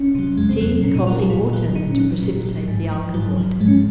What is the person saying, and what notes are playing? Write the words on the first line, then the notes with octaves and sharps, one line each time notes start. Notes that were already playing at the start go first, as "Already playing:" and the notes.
Tea, coffee, or tannin, to precipitate the alkaloid.
Already playing: C#4
C3 F#3
F2 G#3
C4
C3 F#3 C4
C4
A#2 C#4
D#4
F#3 F4
A#4
G#4
A#2 F4
F#3
A#2 D#4
C#4
F#3
A#2
F#3
G#2
F3
G#2 F#3
F3
G#2 G#3
C#4